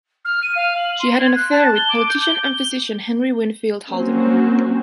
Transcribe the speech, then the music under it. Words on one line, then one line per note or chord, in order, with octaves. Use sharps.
She had an affair with politician and physician Henry Winfield Haldeman.
F6
D#7
F5
F#7
C6
G#6
F#6
A5
G7
D6
G6
G7
F#3 A#3 C4 C#4